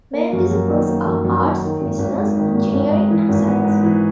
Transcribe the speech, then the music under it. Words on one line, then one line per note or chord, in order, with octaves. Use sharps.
Main disciples are arts, business, engineering and science.
A#3
F#2
F#2
D#3
A#3
F#2
F#2
D#3
D#3
G#1
G#1
G#2
D#3
G#1
G#1
G#2
E3
G#1
B3
G#2
E3